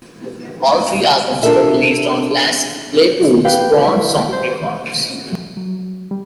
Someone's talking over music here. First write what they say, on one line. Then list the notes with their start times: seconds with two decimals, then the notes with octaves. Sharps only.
All three albums were released on Les Claypool's Prawn Song Records.
1.43 D4 F4 A4 A#4 E5
3.45 G4 B4 F5 G5
3.77 E4
4.32 C5
5.57 F#3
6.11 G3